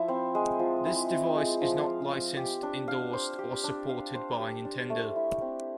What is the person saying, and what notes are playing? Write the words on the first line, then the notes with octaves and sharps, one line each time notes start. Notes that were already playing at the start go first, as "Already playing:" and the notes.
This device is not licensed, endorsed, or supported by Nintendo.
Already playing: F3 E4
C4
G#3
F3
E4
C4
G#3
F3
F5
C5
G4
D4
F5
C5
G4
D4
F5
C5
G4
D4
A3
E4
C4